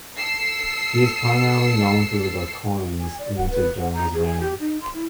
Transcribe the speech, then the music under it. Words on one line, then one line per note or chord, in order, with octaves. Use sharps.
He is primarily known through the coins minted during his reign.
A4 E6 C7 C#7
G#5
D5
F#5
B4
F#5
A#5
G#4
G#5
G4
D#4
C6
E4